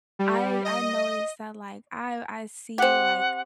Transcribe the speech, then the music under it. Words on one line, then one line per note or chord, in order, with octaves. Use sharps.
I I noticed that, like I I see, like,
G3
D#5
C4 G4 F#5